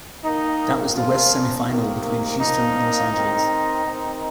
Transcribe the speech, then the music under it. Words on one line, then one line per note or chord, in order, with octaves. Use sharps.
That was the West semifinal between Houston and Los Angeles.
D#3 A#3 D#4
A#2 F3 A#3 F4
C3 D#3 A#3
A#2 F3 A#3 D#4
D#3 C4
D#3 C4